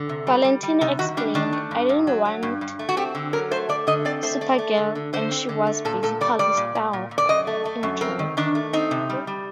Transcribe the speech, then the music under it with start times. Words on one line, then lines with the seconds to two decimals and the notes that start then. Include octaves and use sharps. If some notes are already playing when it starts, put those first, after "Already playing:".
Valentino explained, I didn't want Supergirl - and she was, basically, Starhawk in drag.
Already playing: D3
0.09 C3
0.27 G3
0.45 G3
0.63 G3
0.81 C3 D#4
0.99 D#3 F#4
1.17 G3 D4
1.35 D#3 D4
1.53 A3
1.71 G2
1.89 G2
2.07 F#3
2.25 F#3
2.43 G2
2.61 G2
2.79 A3
2.89 F#4
2.97 C4 G4
3.15 D3
3.33 F#3 A#4
3.51 A3 C5
3.69 A3 D5
3.87 D3 D#5
4.05 C4 D5
4.23 A3 C5
4.41 A3 D5
4.58 A3
4.77 D3
4.95 D3
5.13 D3 C5
5.31 C4
5.49 D3
5.67 A3
5.85 A#2 A4
6.03 A#2 A4
6.21 G3 D5
6.39 G3 D5
6.57 A#2
6.75 A#2
6.93 A#2
7.11 A#2
7.18 D5
7.29 F#2 D#5
7.47 A3
7.65 A3
7.83 F#2
8.01 C4 A#4
8.19 D#3
8.37 D#3 D4
8.55 A3
8.73 C4 D#4
8.91 C3
9.10 G3
9.27 G3